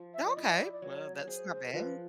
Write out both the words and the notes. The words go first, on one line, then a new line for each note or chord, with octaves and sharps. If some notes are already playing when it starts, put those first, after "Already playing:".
Okay, well, that's not bad
Already playing: F3
E5
D5
E4 D#5
D5
D5
F#3 C#5
C#5
G#4 C5
A#4
F3 B4